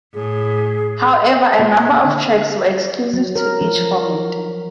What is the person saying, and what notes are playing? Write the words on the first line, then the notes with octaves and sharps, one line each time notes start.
However, a number of tracks were exclusive to each format.
A2 G#4
A#2
D3
F#3
A#4
F3